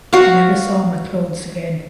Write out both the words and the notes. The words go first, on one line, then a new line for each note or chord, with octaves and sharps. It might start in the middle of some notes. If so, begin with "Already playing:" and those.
I never saw my clothes again.
F#4 F5